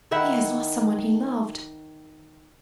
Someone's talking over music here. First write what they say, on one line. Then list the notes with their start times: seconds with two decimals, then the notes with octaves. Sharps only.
'He has lost someone he loved.
0.11 D#3 E4 E5 F#5